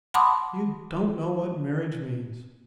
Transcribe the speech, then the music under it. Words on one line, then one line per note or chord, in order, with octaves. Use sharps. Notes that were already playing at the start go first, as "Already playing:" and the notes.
"You don't know what marriage means!"
F#5 A5 B5 C6 D6 D#6